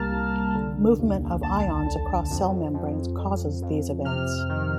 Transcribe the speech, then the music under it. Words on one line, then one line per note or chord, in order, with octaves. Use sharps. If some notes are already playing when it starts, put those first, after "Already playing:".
Movement of ions across cell membranes causes these events.
Already playing: C2 G3 A#3 A5 A#5 F6
C2
D3
D#2
D#2 A5
D3
F2
F2
F2
F2
C3 F6
D#3